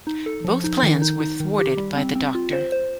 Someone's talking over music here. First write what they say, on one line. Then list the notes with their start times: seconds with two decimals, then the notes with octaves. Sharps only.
Both plans were thwarted by the Doctor.
0.07 D#4
0.26 A4
0.45 F3
0.64 D#4
0.83 D#3
1.02 D#4
1.20 D#4
1.40 D#3
1.59 G4
1.77 G3
1.96 C4
2.15 C4
2.35 F4
2.53 C5
2.72 C5